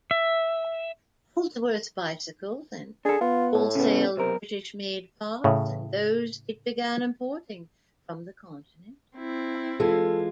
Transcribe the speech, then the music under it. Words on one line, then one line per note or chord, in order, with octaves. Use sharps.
Holdsworth bicycles and wholesaled British-made parts and those it began importing from the continent.
E5
D4 G#4 A4
B3 F4
A2
C#3 B3
B1 C3 A#4
A2 C#3
C4 E4
E3 G#3 F4 A4